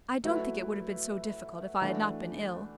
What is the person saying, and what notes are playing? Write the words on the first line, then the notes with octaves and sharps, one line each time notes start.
"I don't think it would have been so difficult if I had not been ill."
F#3 A3 E4 B4
E3 A3 D4 F#4